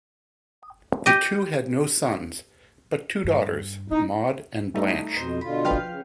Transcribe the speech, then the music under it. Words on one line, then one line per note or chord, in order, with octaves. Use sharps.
The two had no sons, but two daughters: Maud and Blanche.
G4 D#5
G2
D#4 E4
G3 A3 D#4
F2 B2 C5 D#5
B2 D3 F4 B5
F3 B4 F5 G5 F6
C#3